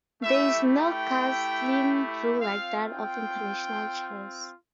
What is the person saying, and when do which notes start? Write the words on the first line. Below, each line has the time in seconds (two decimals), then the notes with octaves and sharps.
There is no castling rule like that of international chess.
0.23 A3 E4 G4 E5
0.78 G5
2.40 C4 F4 F5
2.94 G5